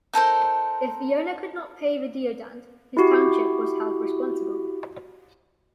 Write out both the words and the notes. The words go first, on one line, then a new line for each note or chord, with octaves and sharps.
If the owner could not pay the deodand, his township was held responsible.
D#4 A4 A#4 C5
E4 F#4 G4